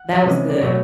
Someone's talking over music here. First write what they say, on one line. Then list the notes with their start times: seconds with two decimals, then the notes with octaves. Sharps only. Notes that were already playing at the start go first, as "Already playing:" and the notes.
That was good.
Already playing: F#5
0.23 C3 E3 G#3 C#4
0.50 D5
0.61 B2 F#3 A3 C#5